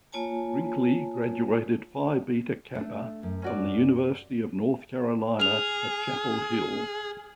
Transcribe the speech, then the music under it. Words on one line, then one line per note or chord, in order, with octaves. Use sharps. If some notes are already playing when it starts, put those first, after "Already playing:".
Brinkley graduated Phi Beta Kappa from the University of North Carolina at Chapel Hill.
A#3 F4 C#5 G#5 A5
A3 D4
F#2
C#4 F#4 D5
G#4 F6 F7